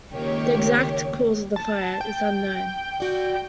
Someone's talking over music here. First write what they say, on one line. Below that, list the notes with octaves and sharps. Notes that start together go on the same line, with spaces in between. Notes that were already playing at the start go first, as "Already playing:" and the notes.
The exact cause of the fire is unknown.
C#2 D#3 A#3 G4 C#5
A5
G5
F#4 D5